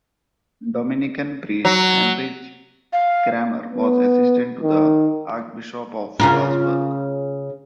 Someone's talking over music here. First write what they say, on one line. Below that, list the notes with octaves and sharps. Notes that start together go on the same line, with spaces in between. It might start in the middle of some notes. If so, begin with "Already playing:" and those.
Dominican priest Heinrich Kramer was assistant to the Archbishop of Salzburg.
F#3
F5
B3
D#3
C#3 F4 A#4